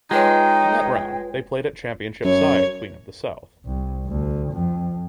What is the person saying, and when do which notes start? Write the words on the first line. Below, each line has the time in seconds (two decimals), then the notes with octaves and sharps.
In that round they played at Championship side Queen of the South.
0.11 G#3 D#4 F4 B4 C#5 G5
2.24 F#2 C#5
3.65 C2
4.07 D2
4.52 F2